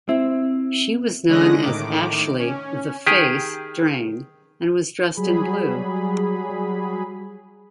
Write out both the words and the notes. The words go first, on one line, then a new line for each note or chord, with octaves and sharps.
She was known as Ashley "The Face" Drane and was dressed in blue.
C4 E4
D3 G#3 C#4 D#6 F#6 A#6
A2 D#3 D6
C#4
D#3 G4 G#4
F#3 G3 G#4 B5